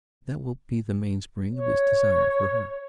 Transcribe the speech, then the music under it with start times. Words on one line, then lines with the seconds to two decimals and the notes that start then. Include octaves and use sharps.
And that will be the mainspring of his desire for her.
1.54 C#5